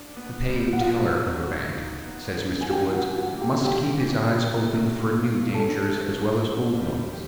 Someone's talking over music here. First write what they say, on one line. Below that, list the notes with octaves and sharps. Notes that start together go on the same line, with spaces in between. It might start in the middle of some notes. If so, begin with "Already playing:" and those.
The paying teller of a bank, says Mr. Woods, must keep his eyes open for new dangers as well as old ones.
Already playing: D4
B3
G3
F#5
B3 F4 F5
F#3
F#4
D#4
B3
F#3
G#5
E3 G4 G5
F#4 F#5
C3
F#4 F#5
A#3
G4 G5
G3 G4 G5
E3
C3
A3
F#3
F4
C#4 A4 A5
A3
F#3
C4
G3
G4